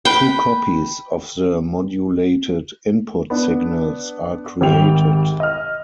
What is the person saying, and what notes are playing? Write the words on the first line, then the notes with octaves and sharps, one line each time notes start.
Two copies of the modulated input signals are created.
B4 G5
B3 D4
G#1 G3 G5 F7
D#5 F6